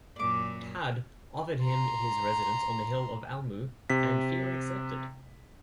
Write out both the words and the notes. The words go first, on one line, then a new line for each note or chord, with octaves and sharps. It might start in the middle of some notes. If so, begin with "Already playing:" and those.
Tadg offered him his residence on the hill of Almu, and Fionn accepted.
F#2 A#2 D5 D6
A#5 C6
C3 B6